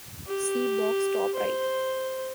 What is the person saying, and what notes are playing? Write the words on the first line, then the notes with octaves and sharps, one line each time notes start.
See box, top right.
G4
C5